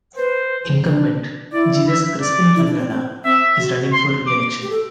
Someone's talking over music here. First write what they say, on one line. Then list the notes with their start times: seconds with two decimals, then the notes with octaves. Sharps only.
Incumbent Jesus Crispin Remulla is running for reelection.
0.16 B4 C5
0.85 D4
1.53 E4 D5
1.87 E5
2.22 D5
2.56 E4
2.67 D4
2.78 C4
2.90 C4
3.24 C4 E5
3.58 F#4
3.93 C6
4.27 D6
4.62 G4
4.70 A4